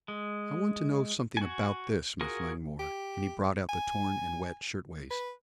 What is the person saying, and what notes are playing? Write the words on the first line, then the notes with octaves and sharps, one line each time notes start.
"I want to know something about this, Miss Langmore," and he brought out the torn and wet shirtwaist.
G#3
F#4 G#5
F4 F#4 G#4 A#4
G4
G#5
B4